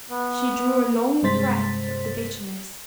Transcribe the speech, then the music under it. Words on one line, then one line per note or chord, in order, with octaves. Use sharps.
She drew a long breath of the bitterness.
B3
G2 C3 G#3 C5 A6 B6